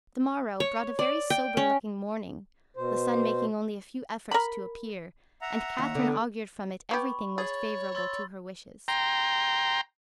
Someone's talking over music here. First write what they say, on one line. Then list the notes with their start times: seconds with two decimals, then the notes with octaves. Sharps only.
The morrow brought a very sober-looking morning, the sun making only a few efforts to appear, and Catherine augured from it everything most favourable to her wishes.
0.60 C#5
0.99 D5
1.30 G5
1.57 C#4
2.77 B2 C5
4.31 A#4 B5
5.41 E5 F#5 A#5
5.78 D#2
5.95 D3 B3
6.91 B3 G4 B5 C#6
7.38 G#4 C#5 A6 F#7
7.95 C6 E6 A6
8.88 G5 A#5 C6